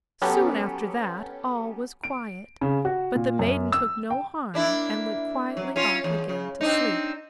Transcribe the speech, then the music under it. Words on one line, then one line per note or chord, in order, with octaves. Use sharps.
Soon after that all was quiet, but the Maiden took no harm, and went quietly off again to sleep.
F#3 B3 C#4 G4 A4
D7
C#3
F#4
A#2
F#2
E6
G5
A#3 D4 E4
F#3
C#4 F4
E2
C#3
C4 D4 D#4